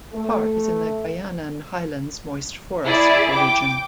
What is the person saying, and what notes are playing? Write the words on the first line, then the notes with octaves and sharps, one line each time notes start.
The park is in the Guayanan Highlands moist forests ecoregion.
A3
E4 G#4 D5
G5 D6